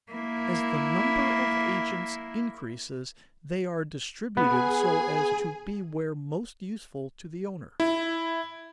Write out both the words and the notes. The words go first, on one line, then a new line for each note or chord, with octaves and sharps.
As the number of agents increases they are distributed so as to be where most useful to the owner.
A#3 E4
B3 G#4 G#5
E4